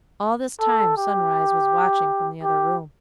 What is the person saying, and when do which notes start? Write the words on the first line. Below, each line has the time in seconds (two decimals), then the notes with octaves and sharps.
All this time Sunrise was watching from the other room.
0.60 A4
0.97 G4
2.43 G4